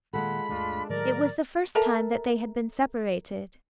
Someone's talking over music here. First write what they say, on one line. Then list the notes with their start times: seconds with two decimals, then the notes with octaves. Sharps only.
It was the first time that they had been separated.
0.13 D#1 D#2 G#3 A#3 F4 A4 F#5 B5
0.49 G1 D2 D3 D4 F4
0.89 A2 D#3 F#3 A#4 D5
1.75 A4 A#4 E5 A#5